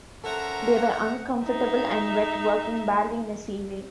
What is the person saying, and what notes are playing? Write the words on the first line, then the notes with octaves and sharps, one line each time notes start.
They were uncomfortable and wet, working badly in a seaway.
C#4 A4 A#4 C5 E5 F#5 A#5
D#4 E5